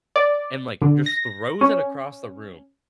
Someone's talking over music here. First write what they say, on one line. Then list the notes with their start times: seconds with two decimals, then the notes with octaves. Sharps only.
and, like, just throws it across the room,
0.16 D5
0.82 D3
1.06 A#6
1.61 C#4